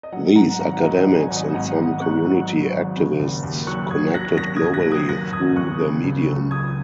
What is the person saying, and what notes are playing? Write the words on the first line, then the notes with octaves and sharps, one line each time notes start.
These academics, and some community activists connected globally through the medium.
D#5
F#3 F#5
G#2 F#5 A#5
G#1 F#5 A#5
F#3 D#5
F#5
F#3
D#5 G#5
G#1 F#5
D#5 G#5
G#2 F#5 A#5
G#1
G#2 C#6 F#6
F#3
F#3
G#1
C#3
D#2
D#2
F#3 C#6 F#6
D#2 D#6 G#6
F#3 F#6 A#6
D#2 F#6 A#6
D#6 G#6
D#2
F#6 A#6
F#3
D#6 G#6
D#2 F#6 A#6
D#2 D#6 G#6
D#2 C#6 F#6
C#3
C#2
F#3
C#2 D#6 G#6